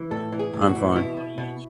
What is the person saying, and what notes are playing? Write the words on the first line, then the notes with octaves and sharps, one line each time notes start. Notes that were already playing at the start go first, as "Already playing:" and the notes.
I’m fine.
Already playing: E3
A2 A4
E3
G#4
A2
G#4
F#4
E3
F#4
B2 E4
B2
B2